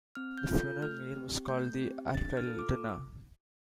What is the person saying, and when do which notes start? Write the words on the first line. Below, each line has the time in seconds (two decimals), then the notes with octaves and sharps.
The funeral meal was called the Arvel-dinner.
0.15 C4 F6
0.38 G6
0.49 F4 A4
0.60 G6
0.82 A3 F6
1.15 C4 G4
1.48 A3 G6
1.82 C4 G4
2.15 D4 A6
2.37 F6
2.47 F4 A4
2.59 D6